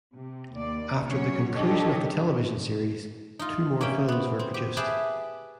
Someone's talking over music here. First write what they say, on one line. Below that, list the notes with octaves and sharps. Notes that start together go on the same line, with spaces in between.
After the conclusion of the television series, two more films were produced.
C3
D#2 A#3 D5
F#3 C#4 C#5
D4 D#4 G4 A4 C#5 D#5
D4
D#4 F4
A#3 C#4 E5 G5
B3 C4
C4
G4
G4 G#4 B4 E5 G5 A5